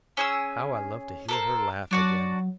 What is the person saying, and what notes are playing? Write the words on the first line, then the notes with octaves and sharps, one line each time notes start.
How I loved to hear her laugh again!
C#4 G#4 E6
A4 A#4 C5
F#3 D4 F#4 D5